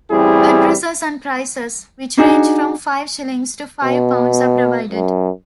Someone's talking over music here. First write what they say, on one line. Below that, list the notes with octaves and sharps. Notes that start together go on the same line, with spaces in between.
Addresses and prices, which range from five shillings to five pounds, are provided.
A1 G3 C4 E4 G#4
D4 D#4 F#4 G#4
B2
F#2